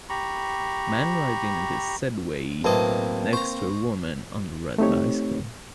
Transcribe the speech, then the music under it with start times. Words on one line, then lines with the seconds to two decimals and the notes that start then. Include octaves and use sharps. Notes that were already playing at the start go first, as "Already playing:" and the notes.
Man riding a Segway next to a woman on a red bicycle.
0.09 G4 A#5 B5 C#6
2.64 B1 A2 A#3 C4 B4 D#5 A5
3.33 C5 A#5 C#6
4.78 A3 C4 D#4 G4 C#5